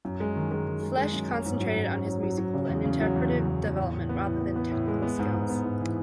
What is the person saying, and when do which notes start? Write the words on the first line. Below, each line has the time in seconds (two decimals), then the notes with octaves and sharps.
Flesch concentrated on his musical and interpretative development rather than technical skills.
0.05 F#2
0.20 G#3
0.36 D#3
0.51 G#3
0.67 D#3
0.83 G#3
0.98 G#3
1.13 F#2
1.29 C#4
1.45 G#2
1.60 F#3
1.75 G#2
1.91 C#4
2.07 F#3
2.23 F#3
2.38 F#3
2.54 C#3
2.69 E2
2.84 C#3
3.01 F#3
3.16 E2
3.32 C#3
3.48 E2
3.63 E2
3.78 A2
3.94 A2
4.09 B3
4.25 A2
4.41 B3
4.56 B3
4.71 A2
4.88 G#3
5.02 B3
5.19 G#2
5.34 G#2
5.49 B3
5.64 G#2
5.81 E3